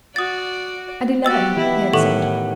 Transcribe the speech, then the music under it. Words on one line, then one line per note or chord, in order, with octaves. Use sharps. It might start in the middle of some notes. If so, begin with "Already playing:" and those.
'At eleven,' he had said.
F#4 D5 D#6 A6
B3 F#4 G4 D#5 E6 A6
E3 B3 E4 G4
A2 D#3 A4 F#5 C#6